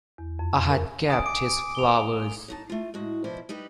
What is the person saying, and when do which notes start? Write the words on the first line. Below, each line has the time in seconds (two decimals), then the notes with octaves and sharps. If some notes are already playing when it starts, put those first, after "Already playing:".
I had kept his flowers.
0.18 E2
0.39 F2
0.54 G#5
0.69 A#4
1.08 G#5 D#6 D7
1.26 D6 D7
1.75 F7 G7
2.48 F#3 D#4 A5
2.70 A3 F4
2.94 A2 G#3 F#4
3.24 B2 F3 E4 C5 D5
3.49 G3 D#4 G4 B4